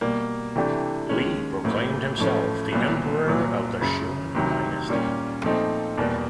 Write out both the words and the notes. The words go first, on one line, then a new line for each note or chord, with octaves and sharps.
Li proclaimed himself the Emperor of the Shun dynasty.
B2 G3 A#3
C3 E3 A3 D4 G4
D#2 D#3 G#3 C#4
A1 A2 F#3 A#3
A1 A2 F3 A3 C#4
C2 A#2 F#3 B3
C2 A#2 F#3
F#1 F#2 C#3
D2 C3 D#3 F#3
A#2 G3 A#3 C#4
A#2 F3 A3 C4 D#4
E2 B2 G3 A#3